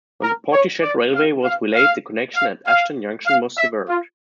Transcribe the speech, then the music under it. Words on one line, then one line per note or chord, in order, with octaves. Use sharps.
When the Portishead Railway was relaid the connection at Ashton Junction was severed.
A#4
C#5
D5
F5
F5
F5
F5
F5
F5
E5
F4